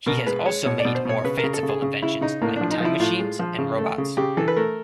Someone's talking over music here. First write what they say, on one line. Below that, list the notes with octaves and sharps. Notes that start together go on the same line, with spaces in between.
He has also made more fanciful inventions like time machines and robots.
B2 A#4
G#3 B4
G#3 C#5
B2 C#5
D5
B2
C5
B2 C#5
C#3 B4
C#3 A#4
A4
C#3
G#4
C#3
C#3 E4
C#3 D#4
A2 A#3
F3 D4
D#4
F3 E4
A2 F4
G#3
F3
C#3
A3
C#3
C#3 G4
E3 A4
B4
A3 A#4